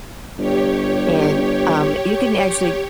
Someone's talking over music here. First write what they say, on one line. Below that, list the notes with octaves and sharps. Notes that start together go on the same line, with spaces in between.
and, um, you can actually
G1 G4 C#5